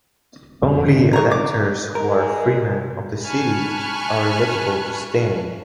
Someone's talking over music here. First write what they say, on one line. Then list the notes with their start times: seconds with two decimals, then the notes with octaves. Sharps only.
Only electors who are Freemen of the City are eligible to stand.
0.62 F2 B2 G3
0.81 G#2 F3 G#3
1.13 A#5 C#6
1.31 D6
1.95 G#3 A#4
3.23 G#5 A5 B5 C#6 F6 F#6